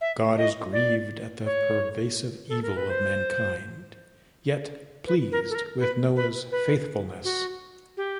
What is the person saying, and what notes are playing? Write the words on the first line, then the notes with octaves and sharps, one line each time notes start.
God is "grieved" at the pervasive evil of mankind, yet "pleased" with Noah's faithfulness.
E5
D#5
D5
C#5
A4
A#4
B4
C5
B4
A#4
A4
A#4
B4
B4
B4
F#4
G4